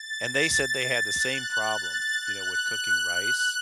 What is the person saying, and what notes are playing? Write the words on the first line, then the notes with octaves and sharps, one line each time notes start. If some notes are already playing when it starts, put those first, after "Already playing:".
and they said they had the same problem, you know, with cooking rice,
Already playing: A6
F#6
A6
F#6